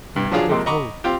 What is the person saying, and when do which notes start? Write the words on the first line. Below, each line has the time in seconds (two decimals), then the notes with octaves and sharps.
Act of Hope.
0.16 G2
0.32 F3 F#3 D4 F4 G#4
0.49 F2 C3 G#3 A#3 C4
0.66 D#5 A#5 B5 C#6 D6
1.04 C4 F4 G4